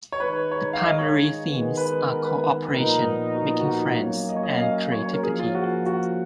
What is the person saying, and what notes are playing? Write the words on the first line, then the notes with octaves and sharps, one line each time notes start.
The primary themes are cooperation, making friends, and creativity.
C#5
D#3 G#3 D#4 B4
C#5
F5
D#5
C#5
D#3 G#3 B3
B4
A#4
B4
B4
A#2 F3 B3 D#4 A#4
F#4
F4
F#4
F4
F#3 A#3 C#4 C#5
D#5
C#5
D#5
F5
D#5
C#5
C#5
A#4
F3 A#3 C#4 G#4
F4
F#4
F#4